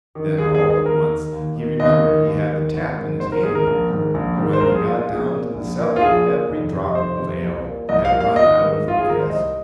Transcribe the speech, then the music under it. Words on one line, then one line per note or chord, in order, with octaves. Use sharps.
Then all at once he remembered he had the tap in his hand; but when he got down to the cellar, every drop of ale had run out of the cask.
D#3
D#2 G#4
G#4
D#3
G#4
D#2 A#4
D#3
D#2
D#3
D#2 D#5
D#3
D#2
D#3
G#1
G#2 D#3
G#1 C5
A#4
G#2 D#3 G#4
A#4
A#1
G#2 D#3
A#1
G#2 D#3
C5
A#1 A#4
G#4
A#2 F4
F4
A#1 G#4
A#2
A#1
A#2
F4
A#1 G#4
A#2
F1
F2 C3
D#5
F1 C5
F2 C3
C2
A#2
C2 D#5
F5
A#2
F5
G#1 D#5
G#2 D#3
G#1 F4
G#4
G#2 D#3 A#4
C5
C2 D#5